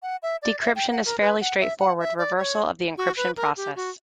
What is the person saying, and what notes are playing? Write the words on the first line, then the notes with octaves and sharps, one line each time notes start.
Decryption is a fairly straightforward reversal of the encryption process.
F#5
E5
D5
E5
G5
F#5
A#4
B4
F#5
E5
F#5
E5
D5
C#5
F#4
B4
A#4
G4
F#4